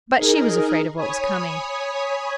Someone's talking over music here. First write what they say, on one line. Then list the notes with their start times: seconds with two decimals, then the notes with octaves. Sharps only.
But she was afraid of what was coming.
0.16 D#4 G#4 A#4
0.95 C#5 G#5 B5 D#6